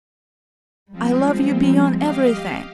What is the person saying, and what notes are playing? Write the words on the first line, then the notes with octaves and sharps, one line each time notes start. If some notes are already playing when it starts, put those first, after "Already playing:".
I love you beyond everything....
F3 G3 G#3 C4
G4 D#5 F5